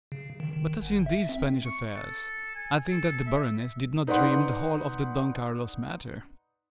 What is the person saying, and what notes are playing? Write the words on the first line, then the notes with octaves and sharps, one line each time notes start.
But touching these Spanish affairs, I think that the baroness did not dream the whole of the Don Carlos matter.
C#3
D#3
D#3
G1
E5
C4
C#6
A4
G#5
A4
E5
D#4 B4 D5 F#5 C6